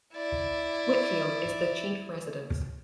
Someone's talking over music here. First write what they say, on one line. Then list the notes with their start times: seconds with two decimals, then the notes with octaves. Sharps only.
Whitfield is the chief residence.
0.14 E4 D5